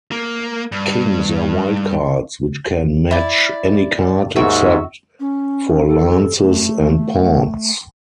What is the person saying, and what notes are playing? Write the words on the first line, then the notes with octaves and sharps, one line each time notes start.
Kings are wild cards which can match any card except for lances and pawns.
A#3
G2
E4 D5
D#2 G#2 F#4 E5
C#4
A4
A3